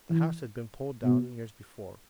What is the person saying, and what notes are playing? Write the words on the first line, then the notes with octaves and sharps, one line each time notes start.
The house had been pulled down years before.
E3
B2